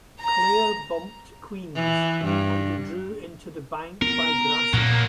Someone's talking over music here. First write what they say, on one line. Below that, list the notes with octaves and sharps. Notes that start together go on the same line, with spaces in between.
Clare bumped Queens', and drew into the bank by Grassy.
A#5
E3
G2
B3 A#4
A#2 F#3 A#3